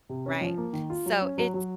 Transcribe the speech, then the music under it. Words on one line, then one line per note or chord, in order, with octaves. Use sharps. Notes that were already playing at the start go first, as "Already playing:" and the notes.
Right. So it's
C3
C#4
F3
A#3
D#3
F4
F#3
C#4
F#3
F#3